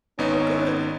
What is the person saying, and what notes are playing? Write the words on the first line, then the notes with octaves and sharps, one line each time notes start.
Oh, good.
G#1 B3 C#4 D#4